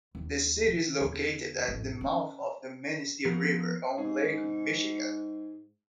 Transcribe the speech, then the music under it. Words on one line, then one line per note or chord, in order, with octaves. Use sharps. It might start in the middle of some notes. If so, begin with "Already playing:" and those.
The city is located at the mouth of the Manistee River on Lake Michigan.
D#2 F#3
D#3
E2 D3
A1 F2
C#4
F3 B3 A#4
G#2 G#4